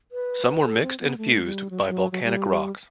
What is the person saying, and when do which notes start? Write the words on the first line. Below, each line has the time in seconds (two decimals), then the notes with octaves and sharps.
Some were mixed and fused by volcanic rocks.
0.12 B4
0.65 A4
0.82 C4
1.00 B3
1.18 A3
1.44 G3
1.70 F#3
1.88 F#3
2.12 F#3
2.23 G3